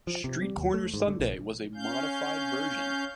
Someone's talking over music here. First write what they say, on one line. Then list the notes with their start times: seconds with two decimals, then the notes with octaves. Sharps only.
"Street Corner Sunday" was a modified version.
0.07 F3
0.24 C3
0.42 G3
0.57 D#2
0.74 A3
0.94 G#2
1.08 D3
1.20 A#1
1.75 C#4 F5 G6